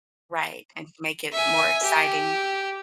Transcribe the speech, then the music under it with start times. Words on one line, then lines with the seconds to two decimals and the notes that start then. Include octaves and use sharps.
Right, and make it more exciting.
1.32 E5 G#5
1.83 G4